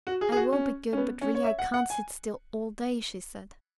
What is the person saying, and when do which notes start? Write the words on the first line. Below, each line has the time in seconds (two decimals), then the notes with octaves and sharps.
"I will be good, but really I can't sit still all day," she said.
0.07 F#4
0.21 G#4
0.32 G#4
0.36 F#4
0.53 C#4
0.93 C#4
0.97 B3
1.21 C#4
1.35 C#5
1.44 E5
1.59 F#5
1.74 F#5
1.90 G#5